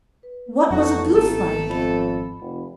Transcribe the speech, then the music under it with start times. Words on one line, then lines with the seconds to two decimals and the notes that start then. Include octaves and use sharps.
'What was a goose like?'
0.23 B4
0.70 A1 F2 F#3 C4 C#4 F#4 A4 A5
1.14 G#1 A3 B3 A4 A5 A#5
1.69 F2 B5
2.41 F1